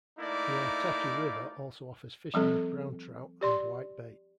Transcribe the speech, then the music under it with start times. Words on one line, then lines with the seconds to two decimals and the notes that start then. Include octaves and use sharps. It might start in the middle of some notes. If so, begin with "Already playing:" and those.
The Otaki River also offers fishing of brown trout and white bait.
0.18 A3 A#3 D#4 E4 D5
2.34 F3 G3 C4 A4
3.41 G4 D5 C6